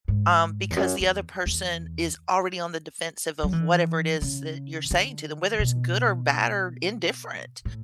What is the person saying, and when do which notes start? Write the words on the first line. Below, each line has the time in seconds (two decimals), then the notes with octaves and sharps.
um, because the other person is already on the defensive of whatever it is that you're saying to them, whether it's good or bad or indifferent.
0.08 G#2
0.70 E2
0.77 F#2
1.00 E2
1.46 E2
3.43 F#3
3.53 E3
4.22 C#3
4.91 D3
5.59 B2
7.65 A2